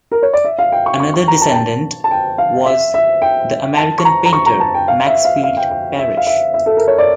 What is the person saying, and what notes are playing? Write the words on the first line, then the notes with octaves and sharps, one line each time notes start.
Another descendant was the American painter Maxfield Parrish.
A#4
C#5
D5
E5
F5
G5
C#6
C#6
C#6
A#5
A5
G5
A5
A5
G5
F5
E5
E5
G5
A5
C#6
A#5
A#5
C#6
A#5
A5
G5
F5
E5
F5
F5
G5
G5
E5
F5
E5
E5
A4
A#4
C#5
D5